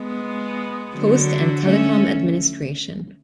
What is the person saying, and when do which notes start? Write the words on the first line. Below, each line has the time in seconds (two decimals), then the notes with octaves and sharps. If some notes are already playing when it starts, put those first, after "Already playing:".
Post and Telecom Administration.
Already playing: G#3 B3
0.95 D3 F#3
1.65 A3 C#4